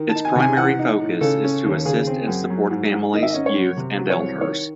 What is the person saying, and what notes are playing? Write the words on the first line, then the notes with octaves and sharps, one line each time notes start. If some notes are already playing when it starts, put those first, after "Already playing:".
Its primary focus is to assist and support families, youth and elders.
Already playing: D#3
A5
D#4
G#5
C3
G#5
E3 F#5
D#4
A2
C#3 A4
C#4
D#2
C#3 G#4
C4
F#2
F#3
G#2
G#2
D#3 D#5
E5
C#4 D#5
C#5
F#2
C3
F#3
C#5
C2
D#3 C#5